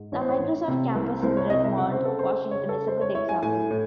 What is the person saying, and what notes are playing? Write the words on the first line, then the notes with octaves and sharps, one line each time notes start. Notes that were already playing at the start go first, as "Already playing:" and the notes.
The Microsoft Campus in Redmond, Washington is a good example.
Already playing: G#2
A1 C#5
C5
C#5
A1
C3
C2
C2 C5
C#5
C3 D#5
E5
C#3 F#5
C5
C#3 A4
C5
C#3 C5
C#5
C#3
A4
G#3 C5
C#5
E4 C#5
G#5
A2 G#5
A2